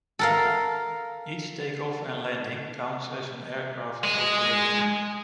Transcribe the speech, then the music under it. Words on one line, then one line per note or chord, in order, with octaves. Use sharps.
Each takeoff and landing counts as an aircraft operation.
A4 A#4 F5
G#3 D#5